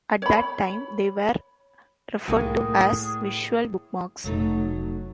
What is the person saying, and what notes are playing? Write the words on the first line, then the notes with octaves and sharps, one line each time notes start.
At that time, they were referred to as visual bookmarks.
C#5 B5
C2 A2 A#3 G#4 G#5 C#7
F1 F#3 A3 D#4